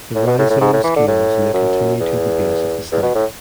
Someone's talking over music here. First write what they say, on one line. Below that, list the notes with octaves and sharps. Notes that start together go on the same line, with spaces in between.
The rhizome scales may continue to the base of the stipe.
A2
B2
A2
A2
G#2
A2
E3
D3
A2
F#2
E2
E2
B2
A2